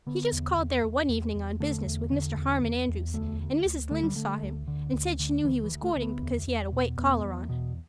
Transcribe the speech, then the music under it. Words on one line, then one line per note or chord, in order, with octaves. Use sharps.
He just called there one evening on business with Mr. Harmon Andrews and Mrs. Lynde saw him and said she knew he was courting because he had a white collar on.
D3 B3
E2
E2
E2
E2
E2
D3 A3
E2
D3
E2
E2
E2
D2 A3
D2
D2
D3 A3
G3
D3 A3
D2
D3
D2
D3
D2 E3
E3
D2
A3
D2
B3
E2
E2
B2
E2 B3
E2
B2